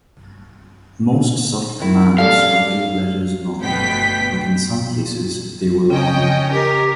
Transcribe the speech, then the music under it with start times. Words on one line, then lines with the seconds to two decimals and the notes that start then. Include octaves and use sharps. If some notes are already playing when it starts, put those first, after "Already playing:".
Most such commands were two letters long, but in some cases they were longer.
1.80 D#3 C4 E4
2.18 G3 C#4 A4 F5
3.62 G1 D2 B2 B3 G5 B6
5.90 C#3 C#4 D#5 G5
6.51 G4 A#4